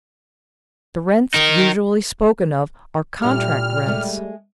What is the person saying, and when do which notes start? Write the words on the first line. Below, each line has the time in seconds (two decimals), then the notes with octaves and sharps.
The rents usually spoken of are contract rents.
1.34 D#4 A#4
3.22 A#2 G3 A3 D4 E4 F6
3.86 G#3 A3